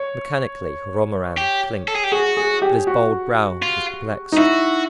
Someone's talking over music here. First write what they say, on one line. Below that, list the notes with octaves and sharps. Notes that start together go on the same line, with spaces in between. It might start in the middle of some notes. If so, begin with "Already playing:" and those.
Mechanically Romarin clinked; but his bald brow was perplexed.
Already playing: C#5
G4
A4
G#4
G4
F#4 G#4
G#4
G4
F#4
F4
D#4
E4 F#4